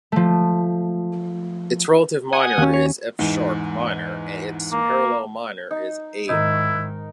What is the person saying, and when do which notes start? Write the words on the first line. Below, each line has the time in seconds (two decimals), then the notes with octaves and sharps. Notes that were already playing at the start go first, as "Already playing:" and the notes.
Its relative minor is F-sharp minor and its parallel minor is A minor.
0.12 F3 A3
2.33 F#5 G#5 D#6
2.58 D#2 C#4
2.74 C#5
3.19 E2 G#2
4.72 A#3
5.71 D#4
6.29 G#2 D#3 D#4 E4 A#4